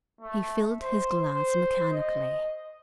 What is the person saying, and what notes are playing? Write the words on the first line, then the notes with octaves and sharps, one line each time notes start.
He filled his glass mechanically.
A3
C5
C5
D#5